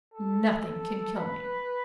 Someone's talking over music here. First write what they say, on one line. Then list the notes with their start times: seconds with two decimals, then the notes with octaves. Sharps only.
"Nothing can kill me."
0.14 A4
1.17 B4